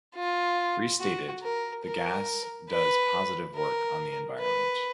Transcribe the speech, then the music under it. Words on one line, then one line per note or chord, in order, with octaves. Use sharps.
Restated, the gas does positive work on the environment.
F4
F#4
A#4
A#4
B4
A#4
B4